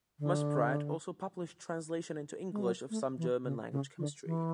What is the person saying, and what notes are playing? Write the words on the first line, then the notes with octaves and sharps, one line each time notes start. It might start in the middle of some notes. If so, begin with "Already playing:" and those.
Muspratt also published translation into English of some German-language chemistry.
D3
G#3
F#3
A3
E3
C#3
C#3
D3
E3